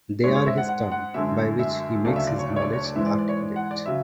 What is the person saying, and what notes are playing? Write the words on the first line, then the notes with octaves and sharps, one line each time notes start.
They are his tongue, by which he makes his knowledge articulate.
G#2 G#3 C#5
C#5
E5
F#5
F#5
F#5
F#2 D3 G#3 E5
E5
D2 C#3 F#3 A3 D5
E5
D5
C#5
D5
C#5
D5
C#5
D5
G#2 E3 G#3 E5
D5
D5
C#5
D5
F#5
D5
C#3 F#3 E5